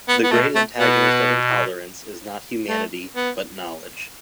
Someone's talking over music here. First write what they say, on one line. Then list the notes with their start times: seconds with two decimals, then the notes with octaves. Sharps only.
The great antagonist of intolerance is not humanity, but knowledge.
0.08 B3
0.23 B3
0.31 B2 A3
0.55 A3
0.79 B2 B3
2.68 A3
3.15 B3